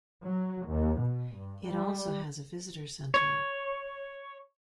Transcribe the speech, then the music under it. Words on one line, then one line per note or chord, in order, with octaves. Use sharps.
It also has a visitor center.
F#3
D#2
B2
G2
G3
C#5